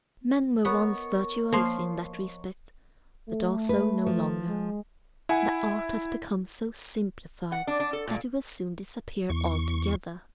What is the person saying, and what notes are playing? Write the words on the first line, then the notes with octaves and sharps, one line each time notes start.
Men were once virtuosi in that respect, but are so no longer; the art has become so simplified that it will soon disappear altogether.
B3 A#4 C#5 D#5
F3 A#3 C6
A3
B4
F3
G#3
E4 F#5 G#5
F#5
D4
D4
A4
A#2
E2 C#6